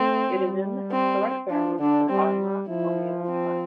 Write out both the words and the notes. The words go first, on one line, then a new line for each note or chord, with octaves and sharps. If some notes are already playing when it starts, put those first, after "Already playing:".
It is in the historic baronies of Armagh and Oneilland West.
Already playing: A3 C4
G3
C4
F3 D4
D3 D4
G3 C4
F3 E4
C4